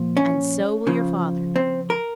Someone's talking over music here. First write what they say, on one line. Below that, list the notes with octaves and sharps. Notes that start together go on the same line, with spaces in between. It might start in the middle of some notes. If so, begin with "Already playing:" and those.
"And so will your father."
Already playing: A#2 F3
C#4
C#3 F3
C4
A#4